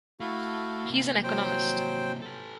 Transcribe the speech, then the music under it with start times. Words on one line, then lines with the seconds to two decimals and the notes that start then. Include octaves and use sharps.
He is an Economist.
0.20 A3 E4 F#4 F5
0.86 C3 A#3
1.23 F#3 C5 G5
2.22 A4 B4